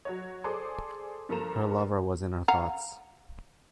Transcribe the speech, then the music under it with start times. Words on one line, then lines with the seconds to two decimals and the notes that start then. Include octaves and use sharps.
Her lover was in her thoughts.
0.05 F#3 F#4 C#5
0.44 G#4 A4 C5 D5 C6 D6
1.29 G2 F3 A#3 A4 A#5 E7
2.48 F5 F#5 A#5